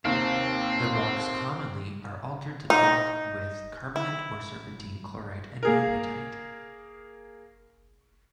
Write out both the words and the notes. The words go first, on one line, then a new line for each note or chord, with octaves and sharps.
The rocks commonly are altered to talc with carbonate or serpentine, chlorite, and magnetite.
D#2 C3 C4
D#4
E4
A#3 G#4 A#4